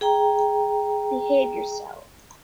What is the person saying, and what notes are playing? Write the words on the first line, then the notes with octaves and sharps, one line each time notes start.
Behave yourself!
G#4 G5 A#5